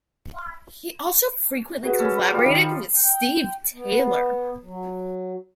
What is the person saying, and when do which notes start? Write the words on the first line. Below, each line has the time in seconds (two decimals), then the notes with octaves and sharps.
He also frequently collaborated with Steve Taylor.
1.83 F#4 G#4 B4
1.98 C#4 A4
2.31 F3 G3 F4
2.45 D#3
2.95 G5
3.74 B3
4.62 F#3